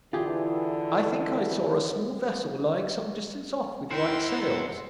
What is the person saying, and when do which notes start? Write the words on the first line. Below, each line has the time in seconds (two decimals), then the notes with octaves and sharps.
"I think I saw a small vessel lying some distance off, with white sails."
0.13 D3 E3 F4 G4 G#4
3.91 E4 C5 E5 F#5 G5 A#5 C6 E6